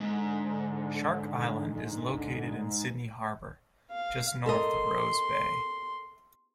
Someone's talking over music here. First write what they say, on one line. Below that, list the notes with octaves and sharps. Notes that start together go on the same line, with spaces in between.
Shark Island is located in Sydney Harbour, just north of Rose Bay.
G#2 D3
F5
A4 A#4 D#5 C6